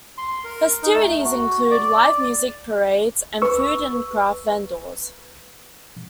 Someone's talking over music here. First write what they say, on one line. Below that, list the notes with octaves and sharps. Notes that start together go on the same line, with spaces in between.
Festivities include live music, parades, and food and craft vendors.
C6
A#4
D#4
A3
F#4
D5
B4 C#6 E6